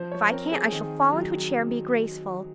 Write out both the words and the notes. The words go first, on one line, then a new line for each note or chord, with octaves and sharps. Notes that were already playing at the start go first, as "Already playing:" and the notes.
If I can't, I shall fall into a chair and be graceful.
Already playing: F3 C5
C#5
C4 A#4
G#4
D#3
F#3